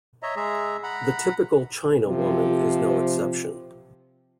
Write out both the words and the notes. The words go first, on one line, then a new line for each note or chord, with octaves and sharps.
The "typical" "china" woman is no exception.
C#5 D#5 E5 A#5
G#3 G#4 E5 A#5
F#5 A#5 B5
C3 F3